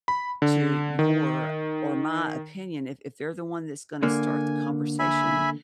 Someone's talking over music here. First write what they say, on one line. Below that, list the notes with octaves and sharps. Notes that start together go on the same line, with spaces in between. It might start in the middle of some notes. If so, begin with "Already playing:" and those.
to your, or my opinion. If if they're the one that's gonna start the conversation,
B5
D3
D#3
D3 A#3 G#5
E5 G#5 B5